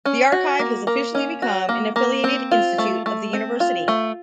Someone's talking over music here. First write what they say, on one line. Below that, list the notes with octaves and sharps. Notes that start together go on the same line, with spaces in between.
The archive has officially become an affiliated institute of the University.
C#4
F#4
A#3
A#3
C#4
F#4
A#3
A#3
C4
F4
A3
A3
C4
F4
A3